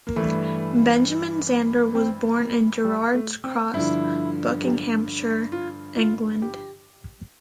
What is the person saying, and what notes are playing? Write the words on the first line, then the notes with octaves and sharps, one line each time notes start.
Benjamin Zander was born in Gerrards Cross, Buckinghamshire, England.
A#3
G2 E3 A3
C4
A#3
G3
A3
C4
G2 D3 F3 E4
F4
F4
G4